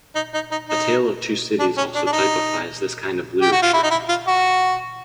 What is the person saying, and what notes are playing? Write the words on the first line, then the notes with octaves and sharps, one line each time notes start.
"A Tale of Two Cities" also typifies this kind of literature.
D#4
D#4
D#4
D#4
D4
C#4
D4
D4
D#4
G4
F#4
F4
E4
D#4
E4
F4
F#4